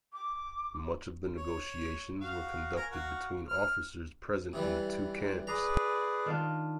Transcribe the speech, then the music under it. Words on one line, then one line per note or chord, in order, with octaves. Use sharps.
Much of the negotiations were conducted between officers present in the two camps.
D6
C#5
F#4 F5
A#4 G#5
F#4 F5
F6
C3 E3 G3
G#4 B4 D5 A#5
D#3 D4 F4